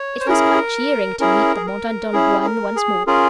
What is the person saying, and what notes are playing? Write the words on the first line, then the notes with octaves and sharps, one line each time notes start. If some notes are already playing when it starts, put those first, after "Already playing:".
It was quite cheering to meet the modern Don Juan once more.
Already playing: C#5
C5
C#4 E4 G#4 A#4
C#4 E4 G#4 A#4
G#4
A#4
C#4 E4 G#4
A#4
G#4
C#4 F4 G#4 A#4